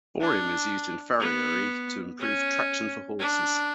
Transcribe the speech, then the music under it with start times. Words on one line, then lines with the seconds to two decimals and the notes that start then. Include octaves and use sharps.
Borium is used in farriery to improve traction for horses.
0.21 D4
1.20 B3
2.20 C#4
3.20 D4